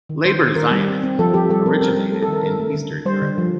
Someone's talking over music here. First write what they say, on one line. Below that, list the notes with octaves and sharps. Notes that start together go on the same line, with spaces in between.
Labor Zionism originated in Eastern Europe.
D#3
D#3 C5
D#3
D#3 A#4
G3
C4
C4
F3 A4
F3 G4
G3 A4
C4 A#4
C4 A#4
G3
A3 A4
A4
D#3 A#4
D#3 A#4
A3
D3
D3
G3 C5
D3
F3